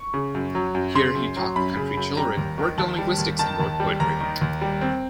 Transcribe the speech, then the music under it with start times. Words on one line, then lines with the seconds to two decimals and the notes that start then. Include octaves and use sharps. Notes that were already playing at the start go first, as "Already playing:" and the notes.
Here he taught country children, worked on linguistics and wrote poetry.
Already playing: C#6
0.14 C#3
0.35 F#2
0.55 F#3
0.75 F#2
0.95 C#3 C6
1.15 F#2
1.37 F#3
1.56 F#2 B5
1.77 C#3
1.97 F#2
2.17 G3 A#5
2.37 D#2
2.58 D#3
2.78 D#2 A5
2.98 G3
3.18 D#2
3.39 D#3 A5
3.60 D#2
3.80 G3
4.00 D#2 A#5
4.20 D#3
4.41 D#2
4.61 G3
4.81 C4